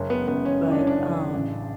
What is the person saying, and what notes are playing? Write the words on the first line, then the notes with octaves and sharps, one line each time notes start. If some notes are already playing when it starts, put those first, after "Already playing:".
But, um,
Already playing: F#1 C#4
B3
F#1 B3
C#4
C#3 E4
D4
C#4
D4
C#3
A1